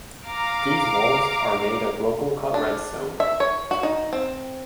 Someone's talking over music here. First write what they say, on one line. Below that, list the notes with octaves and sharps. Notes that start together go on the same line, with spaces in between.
These walls are made of local cut red stone.
F5 A#5 D6
D4
E5
C#5
F#4
D#4
C4